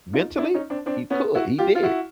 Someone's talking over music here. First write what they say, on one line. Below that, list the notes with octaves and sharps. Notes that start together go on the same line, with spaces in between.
mentally, he could, he did
D#4 F4
D4 E4
C#4 D#4
C4 D4
C4 D4
B3 C#4
E4 F#4
F4 G4
F4
E4 F#4